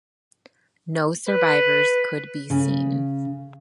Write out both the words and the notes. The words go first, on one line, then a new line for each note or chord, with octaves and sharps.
No survivors could be seen.
B4
C#3